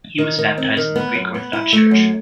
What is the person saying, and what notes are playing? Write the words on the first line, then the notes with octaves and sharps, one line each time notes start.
He was baptised in the Greek Orthodox Church.
D#3
D#3
C4
D#3
B3
F#2
B3
E4
A3
F#2